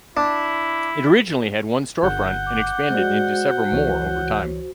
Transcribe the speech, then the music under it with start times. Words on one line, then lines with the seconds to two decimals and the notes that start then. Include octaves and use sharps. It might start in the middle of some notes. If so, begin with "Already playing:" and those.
It originally had one storefront and expanded into several more over time.
0.17 D4 E4
2.03 G1 F#5 G6
2.47 D6
2.90 G#3 F#4 C5 D5
3.72 C#2 E3 C#5